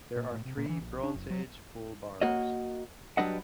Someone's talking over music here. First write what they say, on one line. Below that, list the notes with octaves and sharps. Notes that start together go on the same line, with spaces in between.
There are three Bronze Age bowl barrows.
A#2
A2
C3
A#2
E3
A#1
D4
F#1
F#3
A#3 F#4 C#5 D#5
F#3 G3 D4 B4 D#5 F#5